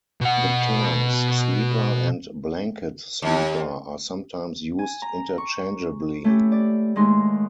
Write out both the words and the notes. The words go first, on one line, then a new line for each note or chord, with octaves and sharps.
The terms "sleeper" and "blanket sleeper" are sometimes used interchangeably.
B2 F#5
D#2
G#5
A#5
C#6
A3 C#4 E4 G4
D5
D#2 G#3 A3 D#4 C6